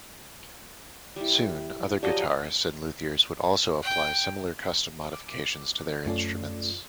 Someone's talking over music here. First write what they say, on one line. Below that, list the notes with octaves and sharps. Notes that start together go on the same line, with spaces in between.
Soon, other guitarists and luthiers would also apply similar custom modifications to their instruments.
G3 E4
F3 F#3 G4 D5 D#5
G5
D6
F#2 A3 C#4 F4 A4 D5